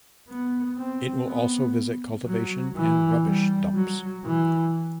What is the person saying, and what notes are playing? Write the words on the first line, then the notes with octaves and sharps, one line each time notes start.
It will also visit cultivation and rubbish dumps.
B3
C4
B3
F#3
E3
G3
F#3
E3